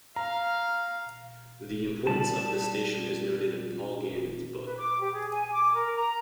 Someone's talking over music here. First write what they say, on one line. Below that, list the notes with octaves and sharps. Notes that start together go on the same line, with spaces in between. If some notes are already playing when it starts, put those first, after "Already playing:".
The importance of the station is noted in Paul Gannon's book.
F5 A#5
G3 A5
B4
D6
G4
G#4
G#5
D6
A#4
A#5